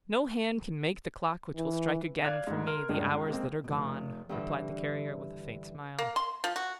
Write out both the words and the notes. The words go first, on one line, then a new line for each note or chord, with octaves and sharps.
"No hand can make the clock which will strike again for me the hours that are gone," replied the Carrier with a faint smile.
E3
D5 F5 F#6 G#6
D2 G#2
A#4 C6 F6
C#2 G2 A#2 G#3
C#2
G#3 A#3 C4
F1
G2 D3 E3
A#3
C6
F3
F#4